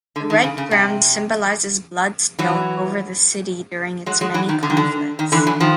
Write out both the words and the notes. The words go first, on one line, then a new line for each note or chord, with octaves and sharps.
The red ground symbolises blood split over the city during its many conflicts.
D3
D#3
C#3
C#3
C3
E3 F#3
F#3 G#3
F#3 G#3
E3 F#3
D#3
D3
D#3
D3
D#3
D3 E3
E3 F#3
D#3 F3